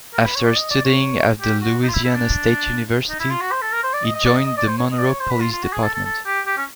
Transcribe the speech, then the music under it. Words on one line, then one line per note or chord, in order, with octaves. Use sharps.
After studying at the Louisiana State University, he joined the Monroe Police Department.
A#4
B4
C#5
D5
D#5
D5
C#5
G4
F#4
D#4
F4
E4
E4
D4
D#4
E4
F4
F#4
C5
A4
A#4
C5
D5
D#5
D#5
D5
D#5
D#5
D5
C5
C#5
D#5
D5
C#5
C5
B4
F4
F4
F#4
G#4
A4
A4
A4
G4
G4
C#4